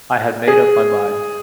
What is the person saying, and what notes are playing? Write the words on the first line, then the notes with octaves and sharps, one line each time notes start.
I had made up my mind.
G#4